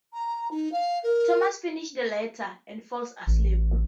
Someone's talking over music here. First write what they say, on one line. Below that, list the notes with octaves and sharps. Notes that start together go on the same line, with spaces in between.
Tomas finishes the letter, and falls asleep.
A#5
D#4
F5
A#4
A1